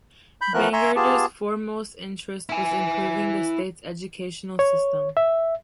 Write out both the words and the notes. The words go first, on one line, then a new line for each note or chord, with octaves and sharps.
Bangerter's "foremost interest was improving the state's educational system".
B5 G6
E3 F3 A3 B3 A#4 F#6
E5 G#5 A#5 C6 C#6 E6
B3 F4 G4 G#4 A5
E4 G#5
C#5
E5